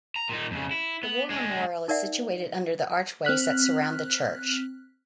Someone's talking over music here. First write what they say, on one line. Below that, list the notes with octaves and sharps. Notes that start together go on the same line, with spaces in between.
The war memorial is situated under the archways that surround the church.
A#5
A#2 D#4
F2 C#3
E4
B3
G#3 D4
D#4 A#4 D5 E5 F#5
C4 F6 F#6 B6